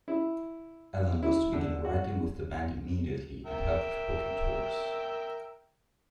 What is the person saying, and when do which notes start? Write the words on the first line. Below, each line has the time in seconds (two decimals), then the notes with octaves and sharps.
Allen was to begin writing with the band immediately and help with booking tours.
0.08 E4
1.23 E4
1.53 D3
1.85 F#4
3.46 A#4 E5 G5